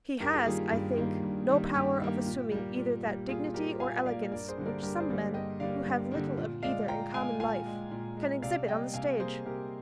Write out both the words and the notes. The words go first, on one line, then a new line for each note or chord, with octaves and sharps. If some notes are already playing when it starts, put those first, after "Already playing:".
He has, I think, no power of assuming either that dignity or elegance which some men, who have little of either in common life, can exhibit on the stage.
G2 G4 A#4
F4 G#4
D#3 G3 A#3 F4 G#4
G2 F4
D#3 G3 A#3
G2
D#3 G3 A#3
G2 G4
D#3 G3 A#3
A#2
G3 A#3
A#2
G3 A#3
A#2 F4 G#4
G3 A#3 G4 A#4
A#2 F5 G#5
G3 A#3 D5 F5
G2 A#4 D5
G#4 C5
D3 G3 A#3
A#4 D5
G2 G4 A#4
D5
G#4 C5
D3 G3 A#3
G2 D#5 G5
D3 G3 A#3 D5 F5
G2
D3 G3 A#3
A#2
G#3 D5 F5
A#2 G5 A#5
G#3 F5 G#5
A#2 F5 G#5
G#3
A#2
G#3
C3 D5 F5
G3 A#3 D#5 G5
C3 F5 G#5
G3 A#3 G#4 C5
C3 G4 A#4